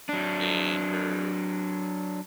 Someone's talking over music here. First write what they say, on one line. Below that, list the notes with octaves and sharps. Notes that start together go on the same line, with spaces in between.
and her
F#3 D4